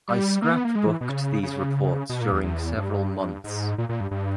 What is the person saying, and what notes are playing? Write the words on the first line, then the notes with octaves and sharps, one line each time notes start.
I scrapbooked these reports during several months.
G3
A#3
B3
A#3
G#3
E3
B2
C#3
C#3
B2
A#2
E2
E2
G2
G#2
A#2
A#2
G2
G2